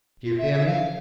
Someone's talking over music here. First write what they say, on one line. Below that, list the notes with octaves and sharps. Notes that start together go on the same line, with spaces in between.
Do you hear me?
F4
E5
E5
F5